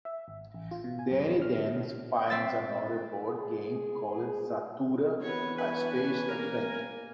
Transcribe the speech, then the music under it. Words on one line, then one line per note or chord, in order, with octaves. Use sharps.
Danny then finds another board game called "Zathura: A Space Adventure".
E5
G#1
A1
F4
B2
G#5
F#2
A1
F6
D3
C4 E5 A6
G#4
E2 F#4 B4 C#5
D4 B4 C#5 G#5
A#3 A#4